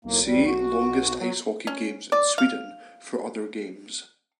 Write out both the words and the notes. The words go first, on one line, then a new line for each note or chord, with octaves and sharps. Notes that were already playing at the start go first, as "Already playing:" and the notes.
See Longest ice hockey games in Sweden for other games.
B1 A2 A#3
E2 G3
F#4
F#3
C#4
D5
F5